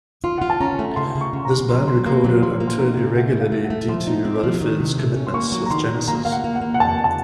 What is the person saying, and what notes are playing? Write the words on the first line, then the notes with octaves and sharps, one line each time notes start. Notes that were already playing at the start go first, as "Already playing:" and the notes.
This band recorded and toured irregularly due to Rutherford's commitments with Genesis.
F4 C6
F4 F#5
A5
C#4 A#5
A3
C#3 C6
C#3
C#6
C#3
A#5
F3
F#3 C6
A#5
F#3 C6
A#3 C6
F#3
F3 C6
A#3
C6
D#4 A#5
C#3
A3 F#5
A2
F5
A3
F#5
A3
F3 C6
D#4
C4
F3
D#3
C3
A3
C#4
C6
A#3 C#6
F#3
A#5
D#3 C6
D#3
A#3 A#5
A#3 F5
F#5
A#3
F#5
A#3
F#5
F2 A5
F2
A5